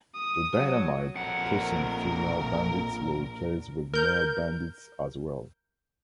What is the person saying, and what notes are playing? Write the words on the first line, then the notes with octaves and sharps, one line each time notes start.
The dynamite-tossing female bandits were replaced with male bandits as well.
D#6
F#3
A#1 F2 A#4 F#5
A#4 G6